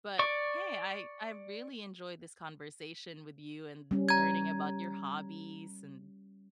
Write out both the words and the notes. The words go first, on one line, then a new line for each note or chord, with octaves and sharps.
But hey, I I really enjoyed this conversation with you, and l learning about your hobbies, and
D5 C#6
G3 C#4
A#5 G#6